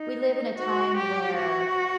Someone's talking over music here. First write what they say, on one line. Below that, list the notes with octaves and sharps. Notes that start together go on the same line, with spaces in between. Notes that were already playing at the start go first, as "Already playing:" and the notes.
we live in a time where,
Already playing: D#4
F#4
G4
F#4